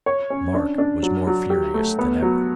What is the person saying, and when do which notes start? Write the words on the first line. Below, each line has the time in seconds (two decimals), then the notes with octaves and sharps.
Mark was more furious than ever.
0.06 C#5
0.30 C#4
0.54 D4
0.78 D4
1.03 F#3
1.27 F#3
1.50 G4
1.74 A3
1.99 B3
2.22 F#3